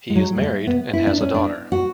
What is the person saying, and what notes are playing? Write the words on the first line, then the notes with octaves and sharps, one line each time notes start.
He is married and has a daughter.
G#3
F#3
G#3
A3
B3
E4
D4
C#4
D4
F#4